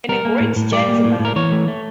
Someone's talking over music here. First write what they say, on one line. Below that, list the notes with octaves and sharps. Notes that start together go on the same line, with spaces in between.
And a great gentleman.
G3 A#4
A#3
A2
A2
G3 D5
A#3
A2
A2
A#4
E3 C#5
A3
A3